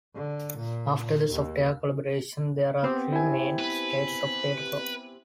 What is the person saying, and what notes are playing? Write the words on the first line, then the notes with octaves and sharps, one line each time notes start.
After the software collaboration, there are three main states of data flow.
D3
A#2
A#2
D#2
B3 C4 G4
E4 G#5
B4